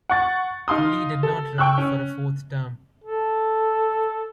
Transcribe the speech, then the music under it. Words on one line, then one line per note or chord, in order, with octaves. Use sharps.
Cooley did not run for a fourth term.
F#5 C#6 A6
D#4 F5 C6 D#6
A4
G5 C#6 E6 F#6
C#4
A4